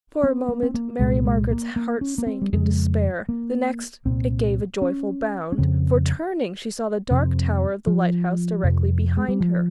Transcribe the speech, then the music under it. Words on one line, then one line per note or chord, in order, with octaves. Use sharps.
For a moment Mary Margaret's heart sank in despair; the next it gave a joyful bound, for, turning, she saw the dark tower of the lighthouse directly behind her.
C4
A#3
C4
A#3
C2 A#2 G#3
G#3
A#3
A#3
C#4
A#3
C4
G3
F2 C#3 G#3
A#3
C2 A#2 C4
C#4
C#4
F2 C#3 C4
F2 C3 C4
F3
F2 C3
G#3
G3
F3